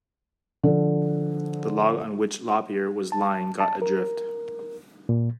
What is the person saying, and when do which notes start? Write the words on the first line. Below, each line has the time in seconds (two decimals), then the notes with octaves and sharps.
The log on which Lop-Ear was lying got adrift.
0.63 D3 F3
3.12 A5
3.60 A5
3.82 A#4
5.09 A#2